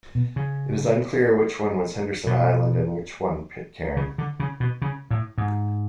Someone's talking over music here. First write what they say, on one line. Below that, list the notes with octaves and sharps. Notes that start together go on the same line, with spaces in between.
It is unclear which one was Henderson island and which one Pitcairn.
B2
C#3
B2
C#3
D3
C#3
B2
C#3
A2
G#2